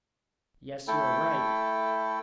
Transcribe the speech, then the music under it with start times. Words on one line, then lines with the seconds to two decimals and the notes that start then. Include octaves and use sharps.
"Yes, you are right."
0.88 A3 E4 A4 G5